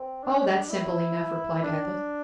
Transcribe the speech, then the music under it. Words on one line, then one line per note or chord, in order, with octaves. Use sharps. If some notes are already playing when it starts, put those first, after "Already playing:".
"Oh, that's simple enough!" replied Athos.
Already playing: C4
D4
E4
D4